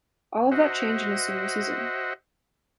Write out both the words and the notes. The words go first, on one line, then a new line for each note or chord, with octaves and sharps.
All of that changed in his senior season.
F#4 C5 D#5 E5 F#5